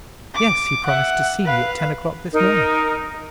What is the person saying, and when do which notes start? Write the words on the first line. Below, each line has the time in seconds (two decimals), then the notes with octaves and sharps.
"Yes, he promised to see me at ten o'clock this morning."
0.34 D6
0.86 E5 F#5
1.45 B4 F5
2.32 D#4 A#4